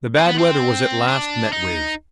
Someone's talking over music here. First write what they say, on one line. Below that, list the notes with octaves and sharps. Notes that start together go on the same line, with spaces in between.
The bad weather was at last met with.
C4
B3
C4
D4
D#4